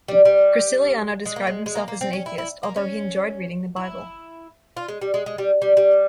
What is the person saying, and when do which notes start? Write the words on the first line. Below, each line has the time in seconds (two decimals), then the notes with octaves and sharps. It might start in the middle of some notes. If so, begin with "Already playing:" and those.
Graciliano described himself as an atheist, although he enjoyed reading the Bible.
0.08 G3
0.25 G3
1.26 G#3
1.36 A#3
1.47 G#3
1.66 G#3
1.75 A#3
1.88 A#3
2.01 C4
2.13 C#4
2.26 E4
2.38 E4
2.63 A#3
2.76 C#4
3.76 E4
4.77 F4
4.88 G#3
5.01 G3
5.14 G#3
5.26 G#3
5.38 G3
5.62 G3
5.77 G3